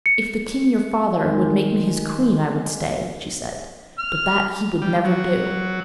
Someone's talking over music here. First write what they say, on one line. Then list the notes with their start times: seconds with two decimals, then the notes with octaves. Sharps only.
'If the king, your father, would make me his queen I would stay,' she said; 'but that he would never do.'
0.06 C#7
1.24 D#3 G#3
3.99 F6
4.82 G3
5.05 F#3